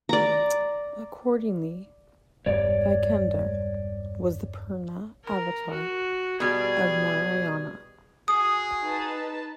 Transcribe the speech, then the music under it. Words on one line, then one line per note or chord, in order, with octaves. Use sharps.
Accordingly, Vaikundar was the Purna avatar of Narayana.
D5 A#5
E1 G2 G3 C#5 D5
A#4
F#4
B2 G3 G#4
F#4 G#4 D#6
D#4 B4 A5